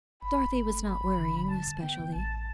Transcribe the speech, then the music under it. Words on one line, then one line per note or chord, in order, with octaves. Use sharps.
Dorothy was not worrying, especially.
G1 B5
G1
G1 B5
A3
G1 B5
G1
D3
D3
G2 A5
G2
B3 G5
G2
A1 A5